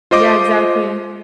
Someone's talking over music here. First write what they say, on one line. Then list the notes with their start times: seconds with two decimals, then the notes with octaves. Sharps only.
Yeah, exactly.
0.11 F4 C5 D#5 D6